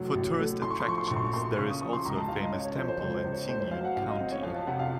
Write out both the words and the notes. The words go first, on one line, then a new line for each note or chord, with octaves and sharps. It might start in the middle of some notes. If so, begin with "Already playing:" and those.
For tourist attractions, there is also a famous temple in Qingyun County.
Already playing: F1 A2 F#3
A1
A3
A2 C6
C#6
C6
F3 C#6
C6
A#1 C#6
C6
C#6
A#3 C6
C#3 C#6
D#6
F3 C#6
C6
C#2 A#5
A5
C#2 F5
D#5
C#3 C#5
C#5
F3 C5
C5
C#2 C5
C5
C#2
C#5
A2 C5
C5
F#3 F5
F#5
A1 F5
D#5
C4
C#5
F2 F5
A5
C3 F#5
F5